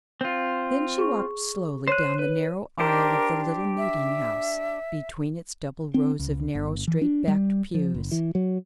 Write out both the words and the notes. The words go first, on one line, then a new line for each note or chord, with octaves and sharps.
Then she walked slowly down the narrow aisle of the little meeting-house, between its double rows of narrow straight-backed pews.
C4 F4
G#4 C#6
C5 C#5 F#6 D#7
B4
D4 G4 A#4 C5
E5
C4
C#2
G1
E3
D4
G3
F3
F#1
E3
F#3